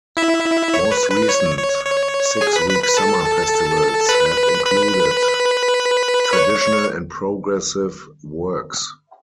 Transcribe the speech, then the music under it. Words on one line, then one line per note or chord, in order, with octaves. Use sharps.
Most recent six-week summer festivals have included traditional and progressive works.
E4 E5
C#5
B4
B4
C#5
C#5
C#5
G#4 G#5
B4 B5
B4 B5
B4 B5
A4 A5
B4 B5
B4 B5
B5
C#5 C#6